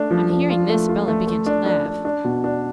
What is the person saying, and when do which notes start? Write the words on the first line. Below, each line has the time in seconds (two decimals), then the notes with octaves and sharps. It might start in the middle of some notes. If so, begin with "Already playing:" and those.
On hearing this Bellah began to laugh.
Already playing: A3 D4
0.11 F3
0.30 F3
0.50 F4
0.70 A3
0.89 F4
1.08 A3
1.27 A3
1.46 D4
1.66 D4
1.86 D4
2.05 D4
2.25 B2
2.44 D4